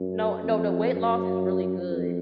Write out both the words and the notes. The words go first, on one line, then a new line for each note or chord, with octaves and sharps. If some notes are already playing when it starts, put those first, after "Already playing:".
No no no weight loss is really good.
Already playing: F#2
F2
F#2
F2